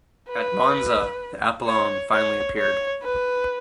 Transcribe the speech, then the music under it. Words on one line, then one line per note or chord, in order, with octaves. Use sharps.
At Monza the Apollon finally appeared.
B4
C#5
C#5
C#5
B4